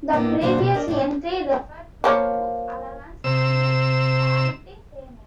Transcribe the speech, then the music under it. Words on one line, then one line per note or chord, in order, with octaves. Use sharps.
The previous entry referred to Youth allowance and Parenting Payment.
A2 A#3 B3 D4
G2 A#2 F#3 D4 B4 C5
B2
D4 A#4 D5 D#5
A2 D3 D4
F3 A#3 C#5
C3 E6